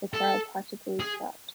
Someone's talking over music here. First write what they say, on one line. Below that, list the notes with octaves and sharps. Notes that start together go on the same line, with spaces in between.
The crowd practically clapped!
A4
G#4